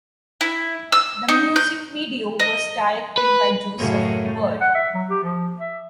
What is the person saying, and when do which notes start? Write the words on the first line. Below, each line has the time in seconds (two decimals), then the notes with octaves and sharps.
The music video was directed by Joseph Bird.
0.41 E4
0.92 E6
1.29 D#4
1.56 G6
2.40 D#5
3.18 B4
3.78 F#2 A2 C#3
4.61 F#5
4.75 E5
4.94 F#3
5.10 G4
5.24 F3
5.59 E5